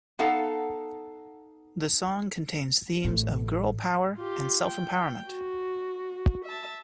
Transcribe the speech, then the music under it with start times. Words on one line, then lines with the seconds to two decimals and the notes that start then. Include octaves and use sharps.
The song contains themes of girl power and self empowerment.
0.19 B3 D#4 A4 F5 F#5 A5
3.04 A1 A2
4.17 F4 G4
4.68 G5
5.28 F#4
6.45 E5 A5